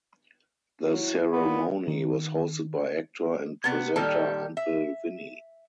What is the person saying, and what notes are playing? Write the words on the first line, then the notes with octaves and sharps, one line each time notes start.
The ceremony was hosted by actor and presenter Uncle Vinny.
F#3 E4
A#2 B3
D#3
C3 B3
A#2 D#3 G3 G4 A4
E5